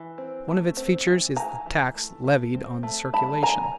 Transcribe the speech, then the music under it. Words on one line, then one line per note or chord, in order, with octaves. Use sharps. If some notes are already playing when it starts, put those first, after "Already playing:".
One of its features is the tax levied on the circulation.
Already playing: E3
C4
A3
C4
E3
A3 G#5 A#5
E3
A3
A3
C4
A3
G3 A5 B5
G3 G#5 A#5